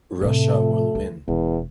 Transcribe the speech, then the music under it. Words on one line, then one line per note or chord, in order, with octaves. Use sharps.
Russia will win!
A2 C3 A3
D2
E1 E2